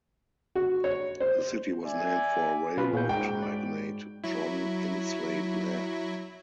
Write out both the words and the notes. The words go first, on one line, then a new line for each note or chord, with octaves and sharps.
The city was named for railroad magnate John Insley Blair.
F#4
C#5
C5
D5 E5 G#5
B2 F4 B4
A#2 C#4 F5 G6
G#2 G#3 A#3 F#4 G5
B4 D5
F#3 E4